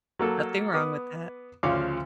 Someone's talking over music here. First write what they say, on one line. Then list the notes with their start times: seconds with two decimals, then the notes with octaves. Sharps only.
Nothing wrong with that.
0.19 F#3 A#3 A4
0.74 B3 D6 D#6
1.63 D2 C#3 F3 C#5 F5 D6